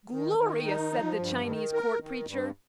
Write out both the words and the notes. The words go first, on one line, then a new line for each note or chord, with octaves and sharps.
"Glorious!" said the Chinese Court Preacher.
D#3
D#3
D#4
F3
G2
D#3
A#4
D#3
G2